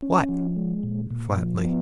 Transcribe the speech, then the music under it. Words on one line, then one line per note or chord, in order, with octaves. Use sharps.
"What?" flatly.
C#4
F3
G#3
A#2
A#2
F3
B3